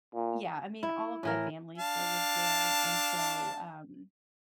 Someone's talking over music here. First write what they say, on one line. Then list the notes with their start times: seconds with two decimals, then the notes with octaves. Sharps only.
yeah, I mean, all of my family still lives there. And so, um
0.14 A#2
0.83 E4
1.23 A2 E3 A#4
1.78 D4 F5 A5